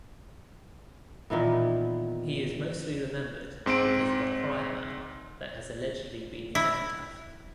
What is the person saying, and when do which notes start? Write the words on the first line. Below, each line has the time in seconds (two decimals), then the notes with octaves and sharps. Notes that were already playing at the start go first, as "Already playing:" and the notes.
He is mostly rmembered because of a priamel that has allegedly been his epitaph.
1.30 A#2 D#3 E3 B3
3.66 G#2 C4 C6 D7
6.55 E4